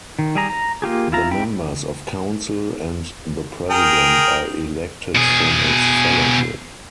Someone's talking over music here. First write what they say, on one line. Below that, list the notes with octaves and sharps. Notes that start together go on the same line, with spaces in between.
The members of Council and the President are elected from its Fellowship.
D#3
G3 G#4 A#5
A#5
A#3 F4 G4 G#4
E4 F4 A#5
C4 E4 G5 B5
G#4 A#4 G5
B2 G#4